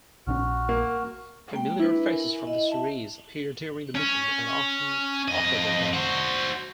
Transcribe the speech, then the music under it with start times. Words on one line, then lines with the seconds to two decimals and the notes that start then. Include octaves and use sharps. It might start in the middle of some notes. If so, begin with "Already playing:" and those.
Familiar faces from the series appear during the mission and often offer their help.
0.27 A#1 C#3 C#4 F#4 F6
0.69 A#3
1.51 G#3 A#3 G5
1.79 D4 E4 B4
2.06 A#4 G#5
2.47 D#5
2.69 E5 A5
3.95 C#4
5.28 F2 D#5
5.94 F#4 C5